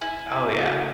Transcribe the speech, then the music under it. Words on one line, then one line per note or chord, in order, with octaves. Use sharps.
Oh, yeah.
E4 G#5
C#3 A3 F#4 G#4